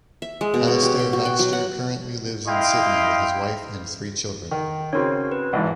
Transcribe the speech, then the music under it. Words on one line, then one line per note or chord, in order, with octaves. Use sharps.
Alistair Baxter currently lives in Sydney with his wife and three children.
E5
G#3
B2
C#5
G4
G5
F#4
G5
F#3
F#5
E4 D#5 F5 G5 C6
D#3
C#3 C4 F#4 A#4 C#5
B4
A#1 G#2 E3